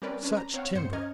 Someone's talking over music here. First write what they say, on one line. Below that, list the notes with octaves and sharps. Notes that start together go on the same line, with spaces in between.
Such timber!
G3 C4 C#4 A#4 B4 D5
C#4 D4 B4
A#5
C4 C#5 F5 F#5
G2 C5 C#7
C#4 D#5 A#5 F6 G#6